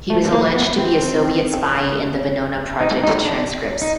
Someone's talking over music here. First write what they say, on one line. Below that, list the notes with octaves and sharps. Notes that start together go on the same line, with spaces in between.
He was alleged to be a Soviet spy in the Venona Project transcripts.
A3
A#3
B3
C4
D#4
D#4
D4
D#4